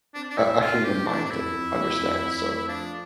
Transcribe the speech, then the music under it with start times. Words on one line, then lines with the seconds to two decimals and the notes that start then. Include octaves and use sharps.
a a human mind to eh understand, so
0.14 C4 D4
0.30 D4
0.37 A2 E4
0.61 A2 F4
0.84 C4 G4
1.07 A2 D4
1.25 D4
1.31 F2 E4
1.53 F2
1.76 F2
1.99 F2
2.22 F2
2.45 A3
2.68 F3 D4